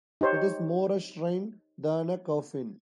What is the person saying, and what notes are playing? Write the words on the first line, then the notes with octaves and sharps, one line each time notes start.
It is more a shrine than a coffin.
D#4 G4 C5 C#5